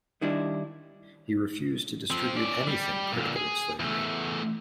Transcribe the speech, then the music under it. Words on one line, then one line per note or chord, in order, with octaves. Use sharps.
He refused to distribute anything critical of slavery.
D#3 G3 D4 E4
F3 C4
C#4 D5
G3
A#2 D3
G#4
E2 A3